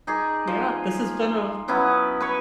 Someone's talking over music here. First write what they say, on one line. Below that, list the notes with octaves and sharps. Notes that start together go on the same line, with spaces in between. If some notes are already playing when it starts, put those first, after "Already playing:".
yeah, this has been a f
D#4 G#4 D5
F3
F#3 B3 C#4 E4
B4 C#5 C#6